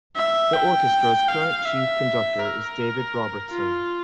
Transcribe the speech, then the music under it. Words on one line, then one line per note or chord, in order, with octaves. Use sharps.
The orchestra's current chief conductor is David Robertson.
E5
G5
F5
E5
A#4
F4